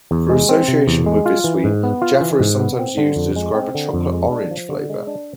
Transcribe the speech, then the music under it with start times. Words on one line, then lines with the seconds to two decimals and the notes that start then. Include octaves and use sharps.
Through association with this sweet, Jaffa is sometimes used to describe a chocolate-orange flavour.
0.11 E2
0.29 G#3
0.49 C4
0.68 C3
0.87 E2
1.06 G#3
1.26 F4
1.44 E3
1.64 G#2
1.83 B3
2.02 F4
2.21 E3
2.40 G#2
2.60 B3
2.79 C4
2.97 D3
3.16 F2
3.36 G#3
3.54 C4
3.75 D3
3.93 F2
4.12 G#3
4.31 D4
4.51 F3
4.69 D3
4.89 G#3
5.07 D4